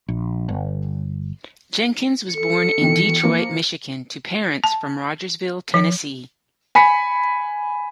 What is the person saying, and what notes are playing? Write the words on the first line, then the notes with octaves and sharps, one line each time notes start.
Jenkins was born in Detroit, Michigan to parents from Rogersville, Tennessee.
A#1
G1
A4 C#7
B2 D#3 E3
F3 A#3
A5
F3
G#5 B5 B6 C#7